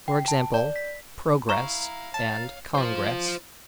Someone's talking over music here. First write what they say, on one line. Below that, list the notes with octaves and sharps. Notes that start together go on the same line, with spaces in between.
For example, Progress and Congress.
G5
A5
D5
B6
E4 F5 A#5 C#6 E7
C#5 F5 A5
F4 C5